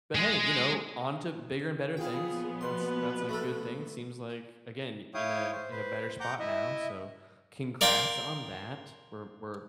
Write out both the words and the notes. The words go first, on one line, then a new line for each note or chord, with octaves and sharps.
But, hey, you know, on to bigger and better things. That's that's a good thing, seems like, again, in a in a better spot now, so congrats on that. We're we're
G#3 G#4
A#2 F3 B3 F4 G#4 F5 G5
B2 B4 C6
A3 A4
E4 C#5 F5 G5 D#6
C5
B4 C5
F#5 G5 A#5 D6 G6
E4 D#5 E5
A#4 D5 F5 G5 C6